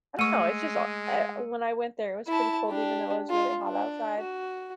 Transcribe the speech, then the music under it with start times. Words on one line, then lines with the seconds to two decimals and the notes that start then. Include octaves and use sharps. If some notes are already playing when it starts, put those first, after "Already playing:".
I don't know. It's just hot er when I went there it was pretty cold even though it was really hot outside.
0.19 G#3 A3 C#6 E6 C#7 D#7
2.28 E4 A5
2.67 D4 G4
3.29 F4
3.64 D4
4.20 F#4